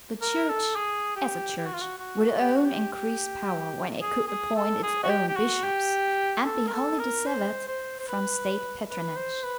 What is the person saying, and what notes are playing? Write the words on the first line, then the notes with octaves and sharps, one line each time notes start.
The Church, as a Church, would own increased power when it could appoint its own bishops, and be wholly dissevered from State patronage.
A#4
A4
G#4
G4
G4
F#4
F4
F#4
F#4
G4
F#4
G4
G4
G#4
G#4
A4
G#4
F#4
G4
G4
F#4
G4
A4
A#4
A4
A#4
C5
C5
C5
B4
B4
C5
B4